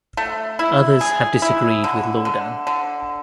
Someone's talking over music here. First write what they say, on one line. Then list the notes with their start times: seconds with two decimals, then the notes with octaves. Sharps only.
Others have disagreed with Laudan.
0.17 A3
0.59 E4
1.01 G#4
1.42 E4
1.84 D3
2.25 D3
2.67 D3